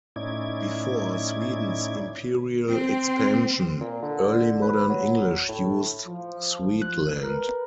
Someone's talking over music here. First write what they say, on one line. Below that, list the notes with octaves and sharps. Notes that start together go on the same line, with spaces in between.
Before Sweden's imperial expansion, Early Modern English used "Swedeland".
A2 C#4 D#4 E4 D5 G#6
C4
A#2
D3
B4
F#3
A2
F3
F#6
A#4 B4